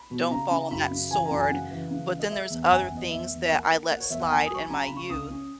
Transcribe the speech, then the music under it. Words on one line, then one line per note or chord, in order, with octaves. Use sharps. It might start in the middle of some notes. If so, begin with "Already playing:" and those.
don't fall on that sword, but then there's other things that I let slide in my youth
Already playing: B5
B2
C#3 A#5
C#3
F#2 B5
C#3
E3 G#5
A#5
F#2
G#5
C#3 F#5
E3
C#3
G#3
D#5
G#3 E5
E2
F#5
F#1 G#5
E5
F#5
E2
D#5
E2 E5
E2
E5
A#3 F#5
A#3
A#3 F#5
C#5
E2 E5
F#5
A#3 G#5
D#6
F#3 C#6
B5
C#3 A#5
B5
C#3
C#6
C#2 D#6
C#4